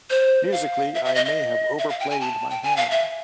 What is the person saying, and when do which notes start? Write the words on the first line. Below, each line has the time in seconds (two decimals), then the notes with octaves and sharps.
Musically I may have overplayed my hand.
0.10 C5
0.52 F5
0.95 E5
1.05 E5
1.15 D#5
1.26 D#5
1.78 E5
1.89 F5
2.00 G5
2.10 G#5
2.21 A5
2.50 G5
2.63 G#5
2.77 F5
2.91 E5